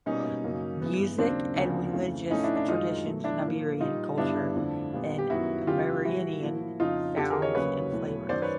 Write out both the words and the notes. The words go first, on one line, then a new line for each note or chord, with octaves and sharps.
Music and religious traditions in Iberian culture and Amerindian sounds and flavors.
B2 G3 A#3 C#4 D#4
F#2 C#3 F#3 A#3
G2 E3 G#3 B3
D#2 C#3 F#3 A#3 C4 D4
D2 C#3 F3 A#3
F2 C#3 E3 A3
A2 F3 A3 C#4 D#4
D4 E4
D4 E4
F#2 D#3 G#3 D#4 F4
B2 F#3 A3
D4 E4
A2 F3 A#3
A#2 G3 A#3 D#4 F4
G2 D3 G3 B3 D4 E4
F2 D3 F3 A3
A#2 G3 B3
G4
F#2 D#3 F#3 B3 E4 F#4
E2 C#3 F#3 F4 G4
A2 E3 G3 E4 F#4
A2 F3 A#3
F2 C#3 F3 D#4 F4
F2 D3 F3 G4 A4
G#4 A#4
C#5 D#5
D2 C#3 F#3 A#3 B4 C#5
E2 B2 F#3 A3
F#2 D#3 F#3 C5 D5
B4 C#5